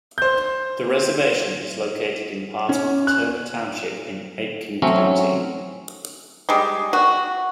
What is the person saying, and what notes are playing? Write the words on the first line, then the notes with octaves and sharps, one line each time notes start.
The reservation is located in part of Turner Township in Aitkin County.
C5 G6
C#4
F#6
F#3 A3 C4 C#4
G3 G#3
F#4